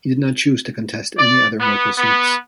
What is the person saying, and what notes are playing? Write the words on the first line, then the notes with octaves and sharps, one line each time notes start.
He did not choose to contest any other local seats.
D5
B3
B3